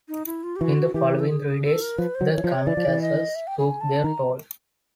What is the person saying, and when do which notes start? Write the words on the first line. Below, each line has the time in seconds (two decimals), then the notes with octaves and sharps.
In the following three days, the kamikazes took their toll.
0.08 D#4
0.26 E4
0.43 F4
0.56 G4
0.61 E3 F#4
0.94 E3 G4
1.19 A4
1.29 G#4
1.47 G#4
1.64 A4
1.81 A#4
1.98 F3 B4
2.15 C5
2.21 F#3
2.32 C#5
2.38 E3
2.44 F3
2.49 C#5
2.66 E3 D5
2.77 F3
2.88 E3
3.01 D#5
3.35 E5
3.47 G5
3.59 G#5
3.81 A5
4.04 D#3 A#5